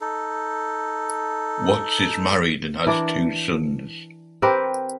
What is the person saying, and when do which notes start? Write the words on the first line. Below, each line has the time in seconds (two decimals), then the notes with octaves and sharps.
Watts is married and has two sons.
0.01 D#4 A4
2.87 E3 D4 A#4 D5
4.42 C4 G4 A#4 B4